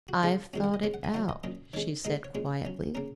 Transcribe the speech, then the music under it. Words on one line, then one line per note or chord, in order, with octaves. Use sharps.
"I've thought it out," she said quietly.
F#4
C#3 G#3 D#4
D#3 G#3 C#4 F#4
F#5
D#5
C#3 G#3 C#4 C#5
F#5
G#5
F#3 A#3 D#4 F#5
D#5
A#2 F#3 C#4 D#5
D#3 G#3 C#4 C#5
A#2 G#3 D#4 D#5
C#5
A#2 G#3 C#4
F#3 C#4
C#3 A#3 C#4 A#4